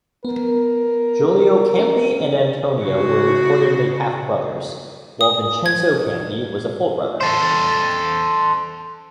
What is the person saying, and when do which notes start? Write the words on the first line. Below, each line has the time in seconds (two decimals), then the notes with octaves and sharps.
Giulio Campi and Antonio were reportedly half-brothers, while Vincenzo Campi was a full brother.
0.25 B3 A#4
1.79 C#4
2.80 C#3 F#4
5.21 D#6
5.66 G#6
7.21 A4 C5